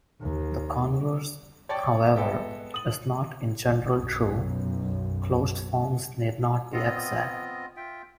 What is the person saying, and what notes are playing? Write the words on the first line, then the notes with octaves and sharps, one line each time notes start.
The converse, however, is not in general true; closed forms need not be exact.
D#2
C#5 D5 G5 A5 C#6 A6
G#3 B3 A4 E5 G5
D#6 F#7
B1 F#2
B3 C4 F4 D#5
F4 E5 G5